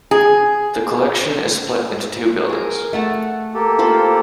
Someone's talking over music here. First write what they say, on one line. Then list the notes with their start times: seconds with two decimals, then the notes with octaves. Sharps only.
The collection is split into two buildings.
0.11 G#4
2.49 G#4 A#4
2.93 A3 F#5 A5
3.54 A#3 G4 A4
3.79 F4 C5 B5